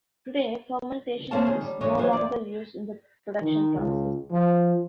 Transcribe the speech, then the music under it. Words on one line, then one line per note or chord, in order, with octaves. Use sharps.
Today fermentation is no longer used in the production process.
A#3 C4 G#4 C#5 F5 A5
D#3 G#4 C#5
G3
D2 G#2 D3 E3 C#5 D#5
E3 F#3 B3 C#4 C5 C#5
E2 D5
D#3
C#2
F3